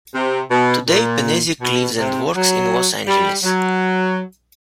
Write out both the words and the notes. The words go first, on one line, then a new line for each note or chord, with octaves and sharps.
Today Penezic lives and works in Los Angeles.
C3
B2
A#2
B2
C3
F#3
G3
F#3